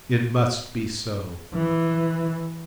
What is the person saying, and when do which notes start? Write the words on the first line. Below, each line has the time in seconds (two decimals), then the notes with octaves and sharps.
It must be so.
1.54 E3